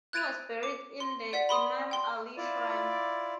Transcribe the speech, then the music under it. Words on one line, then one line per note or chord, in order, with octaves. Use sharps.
He was buried in the Imam Ali shrine.
F#6 G#6 A6 D7 D#7 F7
D6
C6
D5 F#5 B6
B5 C6 D#6
G5 C6
E4 F4 D5